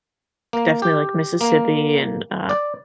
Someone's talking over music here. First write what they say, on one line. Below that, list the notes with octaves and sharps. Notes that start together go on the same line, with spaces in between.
definitely, like, Mississippi and, uh,
A#3
G4
A#3
D5